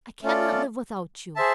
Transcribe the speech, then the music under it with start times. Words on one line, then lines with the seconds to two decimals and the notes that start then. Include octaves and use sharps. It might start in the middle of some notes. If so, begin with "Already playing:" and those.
I cannot live without you!
0.23 A3 C#4 F4 A4 D5
1.36 G#4 C5 E5 A5